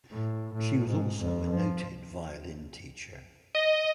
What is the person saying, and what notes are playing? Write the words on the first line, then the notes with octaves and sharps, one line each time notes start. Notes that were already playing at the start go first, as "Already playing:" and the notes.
She was also a noted violin teacher.
A2
A2
G#2
F2
F3
D#5